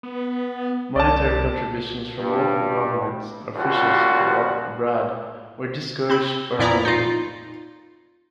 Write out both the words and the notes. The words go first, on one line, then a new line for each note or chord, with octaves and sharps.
Monetary contribution from local government officials or abroad were discouraged or limited.
B3
C2 D5 A5
G2
D#2 C#3 G3 F4 F#4
C4 B5
F2 A#2 E4 D5 A#5 D#6
D#4 F4